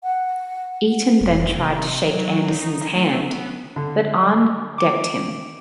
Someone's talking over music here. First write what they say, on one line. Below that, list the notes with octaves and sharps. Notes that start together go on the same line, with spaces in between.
Eaton then tried to shake Anderson's hand, but Arn decked him.
F#5
F1
C3
F#3
D#4
A3
B3
D3
D6